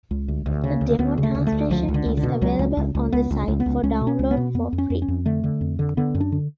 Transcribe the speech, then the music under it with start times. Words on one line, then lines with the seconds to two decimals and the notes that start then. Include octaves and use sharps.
A demo translation is available on the site for download for free.
0.11 C#2
0.28 D2
0.46 D2
0.64 C#3
0.81 D2
0.99 D2 B3
1.18 C#3
1.23 A3
1.35 D2
1.47 A3
1.52 D2
1.70 C#2 F3
1.88 C#2
1.94 D3
2.06 C#2
2.17 D3
2.23 B2
2.41 C#2 F#3
2.59 C#2
2.77 C#2
2.95 C#2
3.12 C#2 B3
3.31 C#2
3.48 C#2
3.60 B3
3.66 C#2
3.83 C#2 C#4
4.01 B2
4.07 C#4
4.19 C#2
4.31 B3
4.37 B2
4.55 F2 B3
4.73 F2
4.78 C#4
4.90 F2
5.02 C#4
5.08 F2
5.26 D3 A3
5.44 D3
5.61 F2
5.79 D3
5.97 D3 B3
6.15 F#2
6.20 D4
6.32 D3